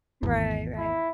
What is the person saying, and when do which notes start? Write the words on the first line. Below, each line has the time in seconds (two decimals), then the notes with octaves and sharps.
Right, right.
0.23 G#1 E2
0.78 E4